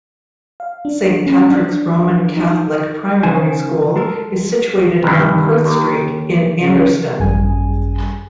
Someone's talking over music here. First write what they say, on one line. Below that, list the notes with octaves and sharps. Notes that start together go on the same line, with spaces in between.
Saint Patrick's Roman Catholic Primary School is situated on Perth Street in Anderston.
F5
D4
C#4
D4
D#4
C#3 D#4 C5 G#5
G#3 A4 A#4
C2 G2 D#3
D#2
C#3
G#1 F#2 G3 G#4 G#5